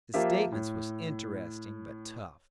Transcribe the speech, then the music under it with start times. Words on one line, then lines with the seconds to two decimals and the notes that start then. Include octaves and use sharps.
The statements was interesting, but tough.
0.14 F3 A#3 F4 G4 E5
0.52 A2